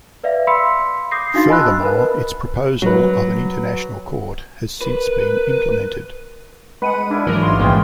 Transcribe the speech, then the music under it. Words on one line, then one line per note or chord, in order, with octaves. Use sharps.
Furthermore, its proposal of an international court has since been implemented.
B4 D5 E5 F5
F5 B5 C6 E6 B6 C#7
D6 D#6 G6 A#6 C7
D4 D#4 F#4 F5 C6 A6
D#5 G#5 A5 B5 E6 F#6
A#4 B4 B5
F#3 B4
A#4 B4
G#3 B4 F#5 D#7
G#3 D4 E4 A#4
G#2 E3 F#3 A#4 C#5 D5
A1 B3 F4 C6
A#1 E3 G#3 A#3 B3 C#4 F4 G5